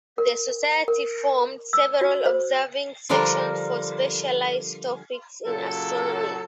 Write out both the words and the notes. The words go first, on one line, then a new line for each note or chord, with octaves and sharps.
The society formed several observing Sections for specialised topics in astronomy.
A#4
A#4
E6
F#4
C5
D3 F3 G3 D4 A#4
A#2 C#3 F#3 A4